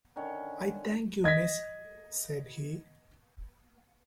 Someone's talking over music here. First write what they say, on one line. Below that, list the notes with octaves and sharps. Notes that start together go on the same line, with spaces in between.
"I thank you, miss," said he.
D3 D#3 C#4
D#5 G#6 A#6 B6